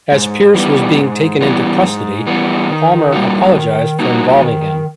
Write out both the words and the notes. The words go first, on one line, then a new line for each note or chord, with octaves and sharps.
As Pierce was being taken into custody, Palmer apologized for involving him.
G#2
E3 G3 B3
G#2
E3 G3 B3
G#2
E3 G3 B3
D#3
G3 A#3 D#4 F#4
D#3
G3 A#3 D#4 F#4
D#3